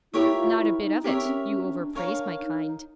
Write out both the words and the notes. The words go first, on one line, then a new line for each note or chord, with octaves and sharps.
'Not a bit of it; you overpraise my kind.'
E4 G4 A#4 C#5 E5
F4
F4
E4
D#4
C4 G4 A#4 C#5 E5
C#4
C#4
C#4
D4
D4 A#4 C#5 F5 G#5
D#4